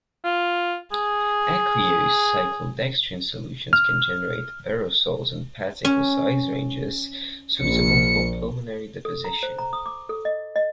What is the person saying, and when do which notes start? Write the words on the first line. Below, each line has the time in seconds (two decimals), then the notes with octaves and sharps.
Aqueous cyclodextrin solutions can generate aerosols in particle size ranges suitable for pulmonary deposition.
0.24 F4
0.92 G#4
3.73 F6
5.85 C#4
7.61 A#1 C#7
9.05 A4
9.25 A#5
9.43 C5
9.59 A#5
9.73 D#6
9.86 D6
10.09 A4
10.25 D#5
10.56 D#5